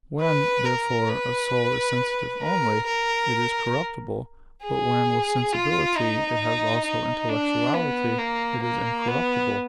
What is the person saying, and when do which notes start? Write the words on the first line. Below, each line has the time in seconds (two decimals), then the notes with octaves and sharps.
When, therefore, a soul is sensitive only, it is corruptible; but when with sensibility it has also intellectuality, it is incorruptible.
0.21 B4
0.65 A#4
1.09 B4
2.43 A#4
2.87 A#4
4.64 G#4
5.53 F4
5.97 D#4
6.86 D#4
7.29 D4
7.74 B3
8.19 A#3
8.63 A#3
9.07 B3